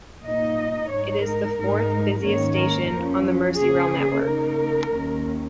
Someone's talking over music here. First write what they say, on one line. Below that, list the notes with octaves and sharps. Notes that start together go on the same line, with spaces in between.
It is the fourth busiest station on the Merseyrail network.
A#2 A#3 D#4 D#5
G#2 G#3 D#4 C#5
A#4
G#2 G#3 D#4
G#2 D#3 A#3 C#4 C#5
A#4
F2 F3 C#4
C#3 A#3 C#4 G#4
C#3 A#3 D#4 A#4
D#2 D#3 C#4